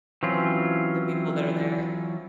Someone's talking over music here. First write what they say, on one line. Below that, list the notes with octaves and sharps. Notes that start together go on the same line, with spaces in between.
The people that are there.
E3 F#3 C4 C#4 F4